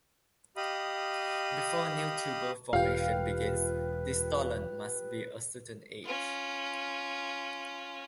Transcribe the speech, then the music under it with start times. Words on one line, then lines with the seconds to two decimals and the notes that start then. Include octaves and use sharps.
Before new tuber formation begins, the stolon must be a certain age.
0.57 G4 D#5 F5 B5 D#6
2.73 E1 F4 G4 B4 F5 G5
6.04 C#4 F4